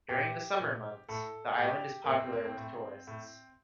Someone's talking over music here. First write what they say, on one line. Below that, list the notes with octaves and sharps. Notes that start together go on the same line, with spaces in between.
During the summer months, the island is popular with tourists.
A#2 G4
A#2
A2 A4
A2 G4
A#3
A2 C4
C4
A#3
C4
A2
A2